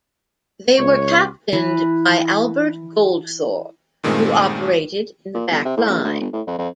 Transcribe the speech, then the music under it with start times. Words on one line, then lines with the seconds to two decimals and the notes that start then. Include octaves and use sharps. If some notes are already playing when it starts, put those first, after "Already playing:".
They were captained by Albert Goldthorpe, who operated in the back line.
0.78 C#2 C#5
1.53 E3 B4
4.03 G2 A#2 D#3 G#3 A3 C4
5.34 A#2
5.51 G1
5.65 C3
5.77 A2
5.89 A#1
6.04 D2
6.21 G1
6.33 A2
6.47 F2
6.58 F2